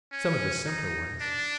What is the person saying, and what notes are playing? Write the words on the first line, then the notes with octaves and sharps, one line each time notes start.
"Some of the simpler ones."
C#4
D#4
D4